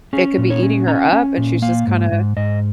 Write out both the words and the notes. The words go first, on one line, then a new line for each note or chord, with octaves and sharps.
it could be eating her up, and she's just, kinda
C#4 G#4
A#2
C#5
C#4
C#4 A#5
G#5
F5
C#4 G#5
A#2
A#3 F5
G#2
G#2
G#2 D#5